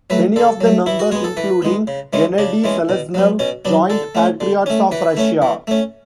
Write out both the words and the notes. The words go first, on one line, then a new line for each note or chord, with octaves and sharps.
Many of the members including Gennady Seleznev joined Patriots of Russia.
F#3 A3 B4
D3 A4
F#3
A3
E3 E4
F#4
G#3 B3 G#4
A4
E3 B4
G#3 B3
C#3
E3 G#3 C#4
C#3 D4
E3 G#3 C#4
B2
F#3 B3
B2 C#4
F#3 B3 D4
D3 A4
A3 C#4
D3
A3 C#4
E3 B4
A3 C#4
E3
A3 C#4